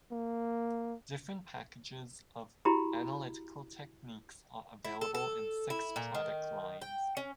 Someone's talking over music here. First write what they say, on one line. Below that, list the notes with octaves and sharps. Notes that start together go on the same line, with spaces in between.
Different packages of analytical techniques are available in six product lines.
A#3
E4 F#4 G4 A#5 B5
E4
A4
A4
E4
A#2
D#3
G5
C#4